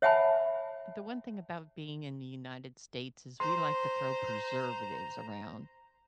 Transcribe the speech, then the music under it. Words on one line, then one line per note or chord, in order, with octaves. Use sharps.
The one thing about being in the United States is we like to throw preservatives around,
C#5 E5 F#5 G#5 A5 B5
C5 A#5 C6